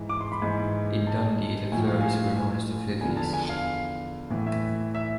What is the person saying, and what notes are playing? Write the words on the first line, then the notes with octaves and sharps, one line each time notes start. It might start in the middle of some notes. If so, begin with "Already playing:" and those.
In Dundee, the ferries were known as "the Fifies".
Already playing: G#2 E3
D6
C6
B5
G#2 E3
A5
A2 F3 G#5
F5
G#5
F5
G#5
E2 D3 F3 G#5
A5
G#5
F5
A2 E3
E5
E5